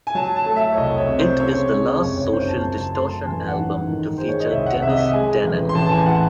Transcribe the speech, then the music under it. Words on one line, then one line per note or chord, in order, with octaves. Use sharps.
It is the last Social Distortion album to feature Dennis Danell.
G#5
F#3 A5
A5
A3
E5
C#5
C2 D#5
C#5
C3
C5
C#3 C#5
G#3
F#1 C#5
C#5
F#2 C5
A5
F#3
A5
A3 C6
A5
A1 G#5
F#5
G#2
D#3
G#3 C5
C#5
D#5
C2 E5
F#5
C3 E5
D#5
E5
G#3 G#5
A1
C6
A1 A5
A5
G#5
A2 F#5